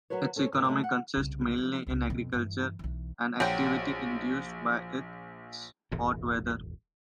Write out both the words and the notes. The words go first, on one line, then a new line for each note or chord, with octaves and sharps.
Its economy consists mainly in agriculture, an activity induced by its hot weather.
F#3 F#4 A#4 B4 C#5
C#4 A4 C5 C#5
G#2 B2 A#3 D4
F#3 A3 C#5 D#5
F#5
C2 C#3
F3
C#2 C#3
F2 B2
G2 E3
B1 E3
A#1 F#3 F#5 G5
D#1 G#1 E2 C3